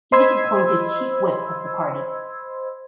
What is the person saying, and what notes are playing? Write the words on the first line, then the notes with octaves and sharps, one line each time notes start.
He was appointed chief whip of the party.
C5 D#5 B5 C6 E6 G#6